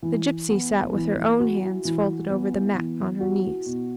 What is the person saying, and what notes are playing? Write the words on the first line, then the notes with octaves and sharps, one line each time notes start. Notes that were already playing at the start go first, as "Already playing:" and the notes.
The gipsy sat with her own hands folded over the mat on her knees.
E3
B3
E3
F#4
E3
B3
E3
F#4
B2